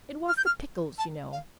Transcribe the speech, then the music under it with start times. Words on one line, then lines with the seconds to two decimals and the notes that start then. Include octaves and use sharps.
It was the pickles, you know.
0.28 F6
0.37 G6
0.46 F6
0.98 A5
1.32 F5